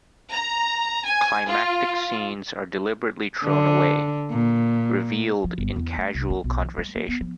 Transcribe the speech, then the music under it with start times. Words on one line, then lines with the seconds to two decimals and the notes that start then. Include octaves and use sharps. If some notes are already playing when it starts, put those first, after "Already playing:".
Climactic scenes are deliberately thrown away, revealed in casual conversation.
0.30 A#5
1.04 G#5
1.47 F4
3.44 D3
4.30 A#2
5.44 F3
5.58 G1
5.76 E2
5.98 A3
6.15 C2
6.30 C#4
6.44 B1
6.61 E3
6.78 G#3
6.95 A#3
7.08 B3
7.21 F3